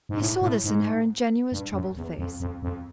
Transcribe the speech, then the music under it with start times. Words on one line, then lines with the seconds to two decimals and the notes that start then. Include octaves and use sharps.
He saw this in her ingenuous troubled face.
0.09 G#2
0.20 A2
0.42 A2
0.64 G#2
1.52 G2
1.73 F#2
1.96 E2
2.19 F2
2.40 F2
2.63 F2